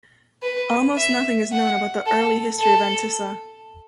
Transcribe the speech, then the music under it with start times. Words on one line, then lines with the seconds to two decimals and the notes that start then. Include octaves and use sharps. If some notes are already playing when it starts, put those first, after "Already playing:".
Almost nothing is known about the early history of Antissa.
0.43 B4
0.97 E5
1.52 F#5
2.06 A4
2.60 A4